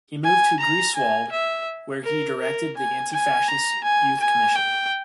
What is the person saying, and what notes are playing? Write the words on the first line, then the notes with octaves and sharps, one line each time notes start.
He moved to Greifswald, where he directed the antifascist youth commission.
G#5
A#5
G#5
E5
A#4
A#4
G#5
G#5
A#5
G#5
G#5
G5